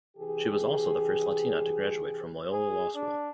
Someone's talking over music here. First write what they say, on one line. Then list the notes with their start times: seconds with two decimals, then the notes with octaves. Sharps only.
She was also the first Latina to graduate from Loyola Law School.
0.17 C3 E3 G4 G#4
2.52 G#4
2.95 D4